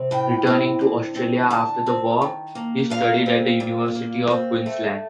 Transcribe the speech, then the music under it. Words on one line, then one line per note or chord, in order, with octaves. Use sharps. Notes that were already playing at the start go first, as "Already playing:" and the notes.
Returning to Australia after the War, he studied at the University of Queensland.
Already playing: C3 C4
A2 G5
C4
D3
C4
D3 A5
C4
D#3
A#3
A#2 F5
C4
A#2
A#3
C4
A3